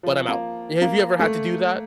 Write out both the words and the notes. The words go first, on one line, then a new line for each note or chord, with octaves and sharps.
but I'm out." Have you ever had to do that?
F3
A#3
A#3
A3